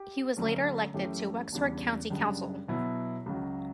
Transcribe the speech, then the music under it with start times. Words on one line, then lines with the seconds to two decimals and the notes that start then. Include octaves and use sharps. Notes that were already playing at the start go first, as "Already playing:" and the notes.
He was later elected to Wexford County Council.
Already playing: G4
0.36 D2 D3 F#3 A3 C#4
0.94 F#2 E3 A3 C#4 G4
1.52 E2 C#3 G3 D4
2.10 F#2 C#3 G3 D4
2.68 B2 F#3 B3 E4
3.26 C#2 C#3 F#3